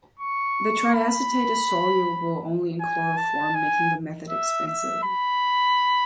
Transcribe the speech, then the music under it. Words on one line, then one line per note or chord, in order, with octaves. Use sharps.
The triacetate is soluble only in chloroform making the method expensive.
C#6
B5
G#5
A5
G#5
E5
E5
B5